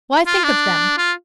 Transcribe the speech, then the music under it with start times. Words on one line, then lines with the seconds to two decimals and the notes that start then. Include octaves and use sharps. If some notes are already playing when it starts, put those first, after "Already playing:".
Why think of them?
0.27 F4
0.44 D4
0.98 F4